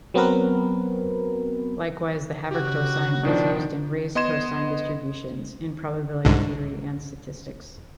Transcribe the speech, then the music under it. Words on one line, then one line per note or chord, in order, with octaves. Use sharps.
Likewise, the havercosine is used in raised-cosine distributions in probability theory and statistics.
F#3 B3 C4 F#4 A#4 B4
C#3 F#4 G4
B2 D#3 F3 D4
B3 D#5 C6 G#6 E7
C2 G#2 D3